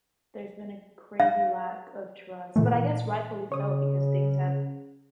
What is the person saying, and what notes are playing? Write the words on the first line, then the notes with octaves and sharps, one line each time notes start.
There's been a crazy lack of trust, but I guess rightfully so because things have
F5
A#2 E3 A3
C#3 C#5 D#6